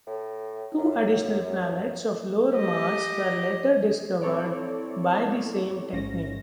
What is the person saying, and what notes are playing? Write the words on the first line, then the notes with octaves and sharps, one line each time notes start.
Two additional planets of lower mass were later discovered by the same technique.
A2
F#2
G4 D#5
C4 E4 A4 C#5 D5
A1 G#2 C#4 A#6